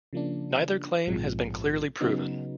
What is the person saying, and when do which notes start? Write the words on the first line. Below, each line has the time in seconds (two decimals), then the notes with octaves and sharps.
Neither claim has been clearly proven.
0.13 C#3 F3 A#3 D4
1.07 A#1 G#2 F3 G#3 C4
2.01 C#3 F#3 B3 D#4